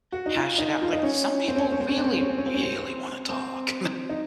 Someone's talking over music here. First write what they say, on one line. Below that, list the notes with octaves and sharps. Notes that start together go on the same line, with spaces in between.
hash it out. Like some people really, really wanna talk.
F#4
D#4
F4
D#4
F4
D#4
C#4
C4
C#4
C4
C#4
C4
C#4
C4
C#4
C4
C#4
C4
C#4
C4
C#4
C4
C4
D#4